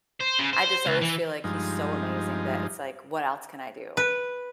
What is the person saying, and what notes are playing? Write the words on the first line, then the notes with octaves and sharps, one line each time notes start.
I just always feel like he's so amazing that it's, like, what else can I do?
C5
C#3
C5
C#2
E3
G2 F3 G#3 D#4
B4